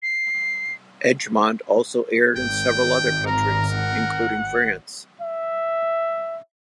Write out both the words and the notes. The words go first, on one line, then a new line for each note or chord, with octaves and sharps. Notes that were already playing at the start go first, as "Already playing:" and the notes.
"Edgemont" also aired in several other countries, including France.
C7
G#1 G5
A#4 A#5
F#5
E5